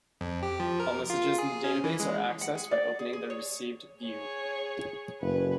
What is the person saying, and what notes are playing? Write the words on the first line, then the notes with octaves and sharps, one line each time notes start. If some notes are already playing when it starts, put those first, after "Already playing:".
All messages in the database are accessed by opening the "Received" view.
F2
G4
F3
A#4
F4
G#4
C#4
E3
G#3
F#5
G#4
D5
G#4
G#4
C#5
G#4 C#5
F#1 B4